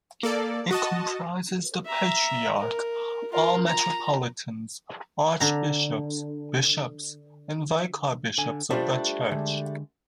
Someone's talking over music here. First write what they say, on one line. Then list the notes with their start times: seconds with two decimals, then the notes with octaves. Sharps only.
It comprises the Patriarch, all metropolitans, archbishops, bishops and vicar bishops of the church.
0.23 A#3 A4 D5
0.71 F#4 D#5 A5
1.86 E5 A#5
2.58 A#4
3.32 F4 A#4
3.67 A#5
5.40 D3 A#5
8.38 D3 G#5
8.70 G3 A3 D4 F4 G4 C5
9.31 D3 G#3